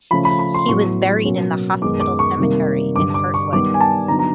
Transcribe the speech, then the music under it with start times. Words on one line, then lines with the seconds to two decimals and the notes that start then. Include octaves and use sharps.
He was buried in the hospital cemetery in Hartwood.
0.11 C#3 F3 A3 C#4 B5
0.25 B5
0.39 B5
0.54 C6
0.68 A2 F#3 B3 C#6
1.25 B2 F#3 A#3 C#4
1.81 F#2 D#3 G#3 B3 D#4 D6
2.00 D6
2.19 C#6
2.38 C3 D#3 G3 A#3
2.95 G2 D3 G3 D6
3.14 D6
3.34 C#6
3.53 D#3 G3 B3 D6
3.74 G#5
3.81 A5
4.08 D3 F#3 B3 D#4 A#5
4.19 A#5